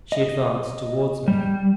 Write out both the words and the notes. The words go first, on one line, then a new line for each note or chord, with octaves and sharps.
She advanced towards me.
D#5
G3